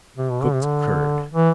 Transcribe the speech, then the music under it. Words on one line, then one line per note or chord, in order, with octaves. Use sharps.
Cooked curd.
C3
B2
D3
C3
D3
E3